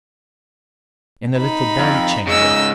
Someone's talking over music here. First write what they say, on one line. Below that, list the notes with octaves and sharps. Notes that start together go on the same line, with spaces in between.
In a little by-chamber....
D#4 B5
F2
G#2 C#3 D#5 E6